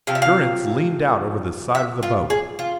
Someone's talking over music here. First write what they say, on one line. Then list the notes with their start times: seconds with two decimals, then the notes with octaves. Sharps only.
Durrance leaned out over the side of the boat.
0.07 C3 F3 F5
0.15 E5
0.22 F5
1.75 E5
2.03 F4
2.30 G#4
2.59 F4